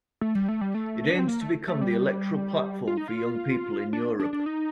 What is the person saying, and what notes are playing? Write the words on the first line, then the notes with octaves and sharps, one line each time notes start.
It aims to become the electoral platform for young people in Europe.
A3
G3
A3
G3
A3
D4
C4
A#3
A3
A3
G3
F4
D#4
F4
D4
D4
D4
D#4